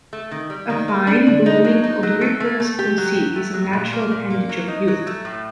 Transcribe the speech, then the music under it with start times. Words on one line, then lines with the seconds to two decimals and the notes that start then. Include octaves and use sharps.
A fine, blooming, odoriferous conceit is a natural appendage of youth.
0.13 A3
0.31 D#3
0.50 G3
0.70 D#3
0.88 A#3
1.07 D4
1.27 D3
1.46 D#4
1.65 F#3
1.84 D#4
2.03 F#3
2.21 A3
2.40 A3
2.60 A3
2.79 G4
2.98 F#3
3.16 G4
3.36 A3
3.54 F#3
3.73 A#2
3.93 A#3
4.11 A#2
4.30 A#3
4.49 F#3
4.68 D#4
4.88 F#3
5.07 A3
5.25 A2